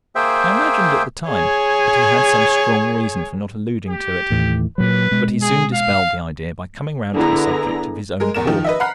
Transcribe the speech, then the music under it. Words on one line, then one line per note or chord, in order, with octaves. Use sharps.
I imagined at the time that he had some strong reason for not alluding to it, but he soon dispelled the idea by coming round to the subject of his own accord.
A#3 G#4 C5 E5 G5
G#4 C#5
G4
D#2 A2 E3
A#2 F#3 B4
B2 G#3
G#4
F5
D3 B3 E4 G#4 A#5
G#3 G#4 A#4
E2 A#4 E7
D#3 F3 G4
B4 D#5 E5
F#5 A#5 B5 F6 F#6 C7